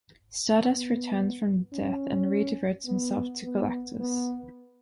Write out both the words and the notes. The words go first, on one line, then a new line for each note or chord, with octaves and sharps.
Stardust returns from death and re-devotes himself to Galactus.
B3
C#4
B3
B3
B3